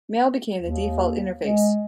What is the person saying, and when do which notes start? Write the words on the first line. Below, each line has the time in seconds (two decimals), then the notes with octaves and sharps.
Mail became the default interface.
0.62 D#2
1.43 G#3